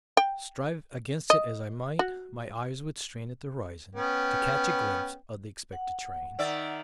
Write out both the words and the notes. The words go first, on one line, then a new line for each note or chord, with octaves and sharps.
Strive against it as I might, my eyes would strain at the horizon to catch a glimpse of the expected train.
G5
D#5
F#4
B3 C#4 G5
F#5
D#3 D5 E5